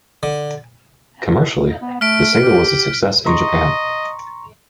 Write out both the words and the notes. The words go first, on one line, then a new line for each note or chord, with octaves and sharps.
Commercially, the single was a success in Japan.
D3
B3
A3 F6 B6 D7
G4
D#5 A#5 C6 C#6